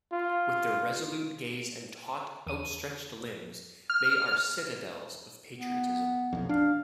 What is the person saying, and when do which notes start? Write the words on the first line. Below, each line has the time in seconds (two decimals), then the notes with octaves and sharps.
With their resolute gaze and taut, outstretched limbs, they are citadels of patriotism.
0.12 F4
2.47 E2 D#7
3.90 F6
5.55 B3
6.33 F1 B1 F2
6.49 D4 F5